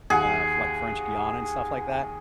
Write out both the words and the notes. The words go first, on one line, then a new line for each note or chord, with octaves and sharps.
uh, like, French goan and stuff like that.
D#2 G#4 F#5 G#5